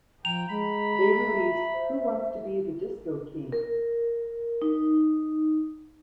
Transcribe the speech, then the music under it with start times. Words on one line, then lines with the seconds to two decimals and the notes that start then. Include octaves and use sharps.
They released Who Wants to Be the Disco King?
0.25 F3 G5 A#5 F7
0.49 G#3 B5
1.32 E5
1.74 C5
3.52 A#4
4.62 D#4